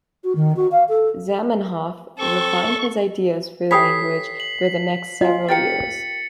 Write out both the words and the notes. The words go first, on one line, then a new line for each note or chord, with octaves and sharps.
Zamenhof refined his ideas for the language for the next several years.
F#4
D#3
F#4
F5
A4
C4 A4 C#6
G4 A4 C#5 G#5 B5 D#6 B6 C7
F#7
F4 D#5 G#5
G4 A#4 G5 A6 C#7